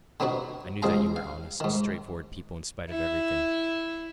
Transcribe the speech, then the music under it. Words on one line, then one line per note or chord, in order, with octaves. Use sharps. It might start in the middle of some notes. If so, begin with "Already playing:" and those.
I knew that you were honest, straight-forward people in spite of everything.
D3 B3 C4 D#4 F#4
C#2 G#3 C4 G#4 F5 A#5
F5
G#2 D#3
E4